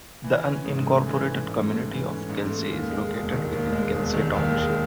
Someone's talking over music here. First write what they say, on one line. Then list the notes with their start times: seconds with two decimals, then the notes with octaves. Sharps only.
The unincorporated community of Kelsey is located within Kelsey Township.
0.24 E3
0.45 C#4
0.65 G#2
0.86 A3
1.06 E3
1.26 C#4
1.48 G#2
1.67 A3
1.88 E3
2.08 C#4
2.29 G#2
2.50 A3
2.70 D#2
2.91 G#3
3.11 E1
3.32 D#3
3.53 D#2
3.73 G#3
3.94 E1
4.14 D#3
4.34 D#2
4.55 G#3